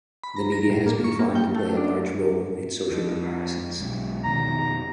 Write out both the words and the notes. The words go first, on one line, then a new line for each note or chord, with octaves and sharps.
The media has been found to play a large role in social comparisons.
B5
A#5
A#6
A2
A#3
C#6
A#3
G5
A3
D4
F2
B1 G#3
F1 B2 D#3 A#5